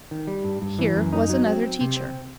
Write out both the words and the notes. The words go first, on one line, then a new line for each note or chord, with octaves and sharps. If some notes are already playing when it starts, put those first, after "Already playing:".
Here was another teacher.
D#3
G3
G2
G2
E3
F#2
D#4
F#3
C4
C4
C3
C4